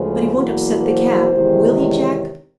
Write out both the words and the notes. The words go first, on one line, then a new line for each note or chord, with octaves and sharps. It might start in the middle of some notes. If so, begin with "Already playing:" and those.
"But he won't upset the cab, will he, Jack?"
Already playing: D2 C#3 F3 G#3 B4
E2 B2 F#3 A#3
C5
E2 C3 D#3 G#3
C#5